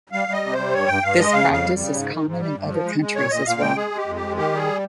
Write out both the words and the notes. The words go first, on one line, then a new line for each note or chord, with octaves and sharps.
This practice is common in other countries as well.
G3 F5
G3 D#5
C3
C5
G3
G2 C#5
G2 G5
G2 F5
G#3 D#5
C#3 F5
F2 F5
G3
C#3
G#2
D#3
G#2
G3
G2
F3
G#3
G#3
A#2 C#5
A#2 D#5
A#2 F5
G#3 G5
G#3 G#4
G#3
G4
F2
G4
G#3
D#3 G4
G3 G#4